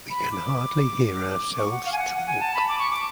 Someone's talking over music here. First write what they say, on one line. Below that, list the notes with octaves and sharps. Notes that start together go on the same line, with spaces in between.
We can hardly hear ourselves talk.
B5
D6
C#6
F#5
F5
G#5
F#5
F#5
G#5
A5
B5
D6
C#6
D6